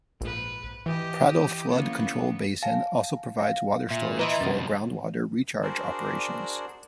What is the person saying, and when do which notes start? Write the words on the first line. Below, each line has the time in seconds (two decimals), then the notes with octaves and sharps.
Prado Flood Control Basin also provides water storage for groundwater recharge operations.
0.21 A#1 G#2 B4
0.86 E3 G4 D#5
1.68 C#3 A#3 B3
2.63 F5 G#5 A5
3.39 F5
3.91 A#2 E5
4.19 E3 B4 D#5 E5 A#5 C6
4.40 C2 F#2 C#4 A6 A#6
5.62 D4 F#4 G#4 A#4 C5 D5